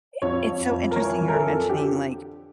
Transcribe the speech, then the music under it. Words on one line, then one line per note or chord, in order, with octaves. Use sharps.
I it's so interesting you were mentioning, like,
F2 C#5
F2
F2
A#4
E3 C#5
E3
A#4
A4
F2
D3 G4